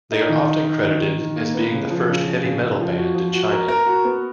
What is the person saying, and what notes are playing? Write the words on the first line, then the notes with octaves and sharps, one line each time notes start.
They are often credited as being the first heavy metal band in China.
D#4
D#3
D#4
D#4
D#3
D#3
D#3
A#3
B3
C#3
F3
C#3
F3
C#3
C#3
F3
F#4
F3
F#4
A#4
A#4
F#4
B3